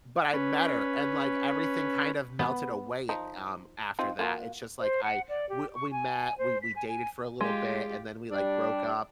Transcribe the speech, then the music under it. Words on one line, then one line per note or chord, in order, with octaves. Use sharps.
but I met her and, like, everything kind of melted away, um, after that, it's just like I we we met, we we dated for a little bit, and then we, like, broke up
C#4 B4
B3
F3 D#4
C4 D#4 F4
A#3 F4 F#4
C5
F#5
D5
G4
C#6
G#5
C5
B6
G#5
G#5
G#3 F4 G4
G3 D4